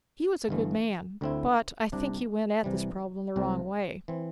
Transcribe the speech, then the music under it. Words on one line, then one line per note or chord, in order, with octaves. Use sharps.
He was a good man, but I think he went at this problem the wrong way.
G1 G2 E3 A3
D2 D3 C4 E4
C2 C3 G3 D4
C2 C3 E3 G3
C2 C3 A3 C4
E3 C4